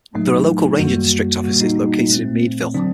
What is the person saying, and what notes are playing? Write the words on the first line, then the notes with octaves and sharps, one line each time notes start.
There are local ranger district offices located in Meadville.
A2 F#3 A3 D#4
F#2 D#3 G3 A#3 F#4
A#2 G3 A#3 F#4
D#4
A#2 A3 C4
D3 F#3 C4 D4